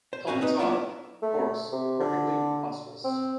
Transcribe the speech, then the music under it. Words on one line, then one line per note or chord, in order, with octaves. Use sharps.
Helmets are, of course, perfectly preposterous.
C5
A2 G3 C4 F#4 F5 G#5
C4 D#4 B4
F#3 A#3 B3 D4 E4 F4
A3
C3
D3
C4